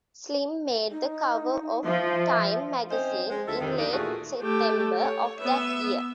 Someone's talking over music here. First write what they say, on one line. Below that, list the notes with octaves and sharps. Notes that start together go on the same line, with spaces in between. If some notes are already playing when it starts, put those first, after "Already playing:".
Slim made the cover of "Time" magazine in late September of that year.
D#4
F3 E5
C4 C#4 D#4 C5
G#3
D2 F3 A4 E5
F2 C3 D#3
D#2 D4 D#4
A#2 E3 A3 F4 F#4 G#4
A3 G4
C#5
B3 E5